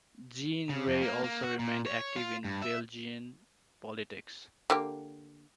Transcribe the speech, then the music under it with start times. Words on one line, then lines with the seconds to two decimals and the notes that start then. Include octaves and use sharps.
Jean Rey also remained active in Belgian politics.
0.69 C#3
0.87 F2
1.02 A#3
1.24 A#3
1.43 F#4
1.59 A#2
1.86 C#5
2.16 F4
2.44 G2
2.62 E5
4.70 D3 A#3 G4